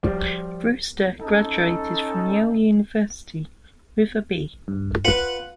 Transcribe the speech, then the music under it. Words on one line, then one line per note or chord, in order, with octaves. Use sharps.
Brewster graduated from Yale University with a B.
F3 G3
C#4 D#4 A4
G2
F4 B4 F#5 F#6